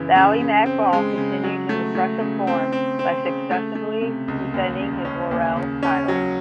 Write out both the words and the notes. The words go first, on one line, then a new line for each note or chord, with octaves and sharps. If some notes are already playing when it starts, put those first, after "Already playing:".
Ballymac Ball continued his impressive form by successfully defending his Laurels title.
Already playing: F#2 C#3 E3
C#3
C#3
C4
G#3
C#3
F#3
A3
A3
C#3
C4
C4
C4
C#3
A3
A3
C3
C#2
D#2
C#3
C#4
D#2
C#3
C#4
F#3